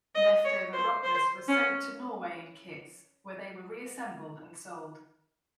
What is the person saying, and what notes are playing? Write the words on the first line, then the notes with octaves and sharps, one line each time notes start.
Leftover Rocknes were sent to Norway in kits, where they were reassembled and sold.
D#5
C#5
C5
C5
C#4